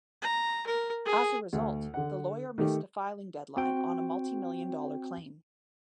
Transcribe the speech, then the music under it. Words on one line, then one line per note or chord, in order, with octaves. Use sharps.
As a result, the lawyer missed a filing deadline on a multimillion-dollar claim.
A#5
A#4
G#4
D2
D3 F#5
D#3 A3 G4
C4 F#4 G5